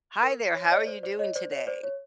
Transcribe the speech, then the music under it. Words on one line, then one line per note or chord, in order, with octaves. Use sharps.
Hi there, how are you doing today?
A#4
C#5
C#5 D#5
C5 D5
C5 D5
C#5 D#5
C5 D5
C#5
C5 D5
C#5